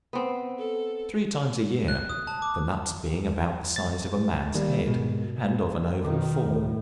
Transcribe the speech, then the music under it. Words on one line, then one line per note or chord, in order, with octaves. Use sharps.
Three times a year, the nuts being about the size of a man's head, and of an oval form.
B3 C4
A4
F#6
D#6
A5
D6
A6
D#3 G3 A#3
G#2 B2 G#3
B2 D#3
A2